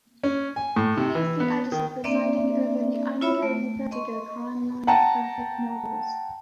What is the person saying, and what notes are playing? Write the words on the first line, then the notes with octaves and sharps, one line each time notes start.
He is the editor presiding over the ongoing Vertigo Crime line of graphic novels.
C#4
G#5
A2
C3
E3
B3
D#3
A#3 C4 D4 D5 E5
E4 F4 C#5 E5 B5
A3
D#5 C6 C#6
F#5 G5 A5 A#5